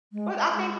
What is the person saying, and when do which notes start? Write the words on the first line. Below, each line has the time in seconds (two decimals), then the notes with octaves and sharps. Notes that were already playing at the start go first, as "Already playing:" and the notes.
Well, I think
0.13 G#3